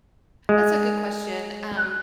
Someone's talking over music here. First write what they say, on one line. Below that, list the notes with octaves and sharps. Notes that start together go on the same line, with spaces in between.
That's a good question, um
G#3